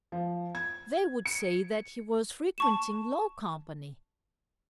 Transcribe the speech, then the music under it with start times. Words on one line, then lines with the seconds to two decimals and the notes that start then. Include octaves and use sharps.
They would say that he was frequenting low company.
0.12 F3
0.55 G#6
1.26 C#7
2.58 A5 C#6 E7